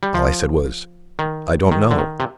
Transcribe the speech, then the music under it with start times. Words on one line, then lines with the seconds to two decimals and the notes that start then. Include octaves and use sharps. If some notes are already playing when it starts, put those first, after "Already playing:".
All I said was: "I don't know."
0.03 G3
0.14 F3
1.19 D#3
1.72 D#3
1.91 D3
1.98 D#3
2.20 C3